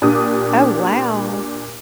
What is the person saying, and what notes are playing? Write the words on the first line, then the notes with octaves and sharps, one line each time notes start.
Oh, wow.
A#2 D4 G4 D#6